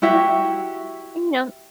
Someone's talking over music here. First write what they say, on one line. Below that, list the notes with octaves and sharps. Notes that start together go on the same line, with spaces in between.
You know
E4 F#4 G4 E5